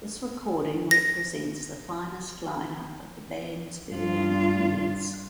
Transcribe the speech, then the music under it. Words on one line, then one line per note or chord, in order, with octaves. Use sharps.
This recording represents the finest lineup of the band’s early years.
A#6
G2 F4